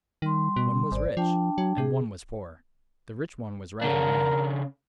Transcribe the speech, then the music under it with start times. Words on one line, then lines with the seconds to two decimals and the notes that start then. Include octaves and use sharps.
One was rich, and one was poor; the rich one was rather mean.
0.22 D#3 G3 C6
0.56 B2
0.92 G#1 C5 D5
1.17 F3 D4 G5 A5
1.58 F#3
1.78 C3 G#4
3.82 C#3 D4 A#4